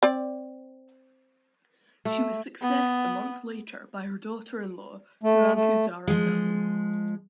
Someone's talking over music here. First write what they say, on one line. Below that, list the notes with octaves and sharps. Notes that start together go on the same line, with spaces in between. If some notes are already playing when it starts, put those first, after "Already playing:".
She was successed a month later by her daughter in-law, Tuanku Zara Salim.
C4 D5
A3
B3
A3
A3
F3 G#3